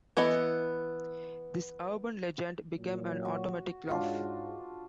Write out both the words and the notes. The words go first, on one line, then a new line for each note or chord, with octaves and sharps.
This urban legend became an automatic laugh.
E3 B3 E4 A4 D#5
A#2 F#3
F#4
G#2 D4 F4 F#4